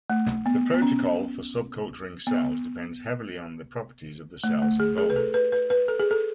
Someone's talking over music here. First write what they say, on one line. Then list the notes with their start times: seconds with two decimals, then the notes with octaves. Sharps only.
The protocol for subculturing cells depends heavily on the properties of the cells involved.
0.10 A3
0.46 B3
0.74 B3
0.82 C#4
2.27 B3
4.44 A3
4.62 A3
4.80 G#4
4.98 G#4
5.10 B4
5.16 A4
5.34 B4
5.52 B4
5.70 B4
5.88 A4
6.00 G#4
6.11 A4